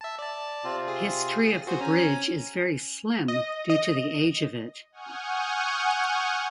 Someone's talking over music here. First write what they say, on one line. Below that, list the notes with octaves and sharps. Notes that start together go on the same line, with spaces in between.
History of the bridge is very slim due to the age of it.
E5 A5
D5 A5
C3 C4 F4
G#4
F#4 G#4 C5
C#4 G#5 A#5
D#5
D#5
F#5 G#5 C#6 D#6 F6 G6